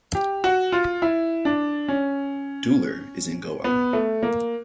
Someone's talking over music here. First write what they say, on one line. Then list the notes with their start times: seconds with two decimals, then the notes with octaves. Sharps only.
Duler is in Goa.
0.15 G4
0.44 F#4
0.72 F4
1.02 E4
1.45 D4
1.88 C#4
3.64 B3
3.93 A3
4.23 A#3